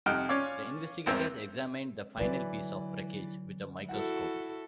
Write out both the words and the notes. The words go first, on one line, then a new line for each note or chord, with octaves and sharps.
The investigators examined the final piece of wreckage with a microscope.
F2 C3 D#4 F#5 G5 F6
C#4 F4 C#5 D5 F5
G#1 E2 C4 A#4
D3 E3 F#3 B4 D5
E4 F#4 A4 F#5